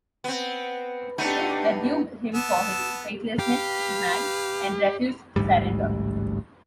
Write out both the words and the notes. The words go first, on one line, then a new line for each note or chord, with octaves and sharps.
Su rebuked him for his faithlessness to Han and refused to surrender.
B3 C4
A3 B3 D4 D#4 G4
B3 A5 E6
G4 B4 F5
A1 D2 G#2 G3